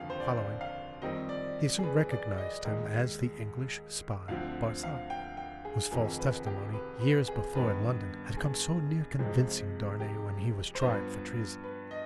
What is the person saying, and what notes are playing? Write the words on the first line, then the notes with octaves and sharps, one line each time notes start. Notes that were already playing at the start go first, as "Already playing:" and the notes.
Following, he soon recognized him as the English spy, Barsad, whose false testimony, years before in London, had come so near convicting Darnay when he was tried for treason.
Already playing: F1 D#2 D3 F3 F5
C5
D5
F5
F2 D#3 G3 C4 D#5
D5
G#4
B4
D5
D#5
D#2 D#3 G#3
D2 D3 F3 C4 F5
F5
G5
G5
G#4
F1 F2 D#3 G#4
B4
G4
B4
B4
G#4
G2 D#3 B3 B4
G#4
F2 C3 F3 G#3
G4
C5
G2 F3 B3 B4
B4
D#5